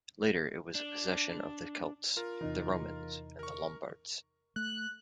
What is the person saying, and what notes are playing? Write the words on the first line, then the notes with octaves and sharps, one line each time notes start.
Later it was a possession of the Celts, the Romans and the Lombards.
D4
F4 A#4
E2 C3 E3 D#4
A#4 C#6
A3 F#6